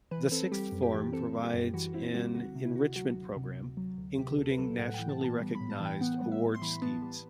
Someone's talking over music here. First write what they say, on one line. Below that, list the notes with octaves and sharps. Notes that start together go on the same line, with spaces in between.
The Sixth Form provides an enrichment programme, including nationally-recognised award schemes.
E3 B4
C4 A4
G3 G4
F#2
G4
E3
C4 A4
G3
G4
F#2
E3 F#4
C4 E4
G3 F#4
D2 F#4
C3
E4
D2 F#4
F#3 F#4
D2
C3
D2
F#3
D2
C3 G4
D2 A4
B4
F#3 A4
A2 F#5
E3 G5
A5
B3 A5
G3
B5
A2
A5
E3 G5
B3 F#5
G3
E5
A2
C6
E3 B5
B3 A5
G3